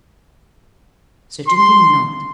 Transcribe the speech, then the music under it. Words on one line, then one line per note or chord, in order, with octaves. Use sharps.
Certainly not!
C6